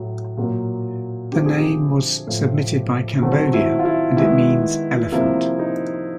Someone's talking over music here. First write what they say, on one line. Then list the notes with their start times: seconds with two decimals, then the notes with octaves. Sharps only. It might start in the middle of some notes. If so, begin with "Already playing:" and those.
The name was submitted by Cambodia, and it means elephant.
Already playing: A2 F#3
0.37 A#2 F#3 A#3
1.32 D3 F3 A3 C4 G4
1.46 G#4
1.58 G4
2.27 A2 F3 A3
3.22 D#3 F#3 A3 C4 F#4
3.53 E4
3.79 F4
3.85 E4
4.17 D#3 G#3 B3 E4
5.12 C3 F3 A#3 E4
5.59 D#4